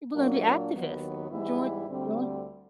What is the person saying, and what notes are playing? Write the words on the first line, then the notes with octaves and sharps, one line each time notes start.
we're gonna be activists, join join
A#2 F#3 A#3 D4
D#2 D#3 F#3 B3
G#2 E3 G3 B3 E4
D2 D3 G3 C4